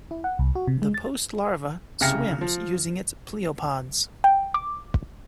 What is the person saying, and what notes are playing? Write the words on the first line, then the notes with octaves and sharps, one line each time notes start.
The post-larva swims using its pleopods.
E4
F#5
C2
F#4
C3
G#3
A6
C2 C#3 G5 F6 A#6 C#7
F3
G5
D6